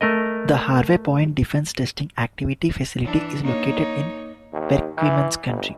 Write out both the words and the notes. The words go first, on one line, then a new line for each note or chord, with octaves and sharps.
The Harvey Point Defense Testing Activity facility is located in Perquimans County.
A3 A#4 D#5
E3 D4
A#3 D#4 C#5
D#2
E3
G1